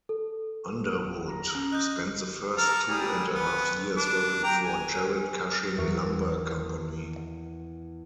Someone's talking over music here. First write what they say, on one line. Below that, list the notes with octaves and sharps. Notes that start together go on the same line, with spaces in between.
Underwood spent the first two and a half years working for Jarrett-Cushing Lumber Company.
A4
A#5
C#4
D#5 F#6 G6
A4 A#4 F6
G3 G#4
B3
D4
G5 A#5
G#5
E2 A#4 C#6 F6